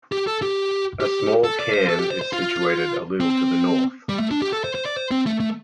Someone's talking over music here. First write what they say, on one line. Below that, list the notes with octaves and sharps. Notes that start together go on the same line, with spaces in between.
A small cairn is situated a little to the north.
G4
A4
G4
G4
A4
D5
C5
A4
G4
C5
C5
F4
C4
G3
A3
D4
G4
A4
C5
C5
D5
C5
C4
A3
A3